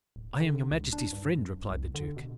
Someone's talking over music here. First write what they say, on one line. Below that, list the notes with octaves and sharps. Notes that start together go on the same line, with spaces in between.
"I am your majesty's friend," replied the duke.
D1
D3
C#2
D4
G2
F#2
C2
D3
B2